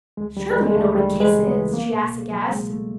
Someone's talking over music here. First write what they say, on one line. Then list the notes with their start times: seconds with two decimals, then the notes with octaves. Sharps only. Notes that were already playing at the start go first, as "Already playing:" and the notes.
"Surely you know what a kiss is?" she asked, aghast.
0.17 D2 G#3
0.37 D2 G3
0.51 G3
0.56 E3 G#3
0.66 G#3
0.75 D2 A3
0.95 D2 G3
1.15 E3
1.21 G#3
1.34 C#3
1.47 B3
1.53 E3
1.73 C2 A#3
1.93 B2
2.12 C2
2.31 F#3
2.51 B2 G#3
2.70 C2 A3